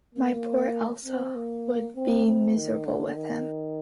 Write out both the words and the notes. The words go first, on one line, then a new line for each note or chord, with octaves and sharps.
My poor Elsa would be miserable with him.
A#3
C4
A#3
C4
C4
D#3
D3
D#3